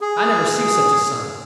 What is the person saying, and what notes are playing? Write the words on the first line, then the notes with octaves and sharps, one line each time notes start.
I never see such a son.
G#4